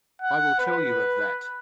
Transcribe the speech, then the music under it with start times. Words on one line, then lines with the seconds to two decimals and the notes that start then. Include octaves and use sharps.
I will tell you of that!
0.22 F#5
0.59 B4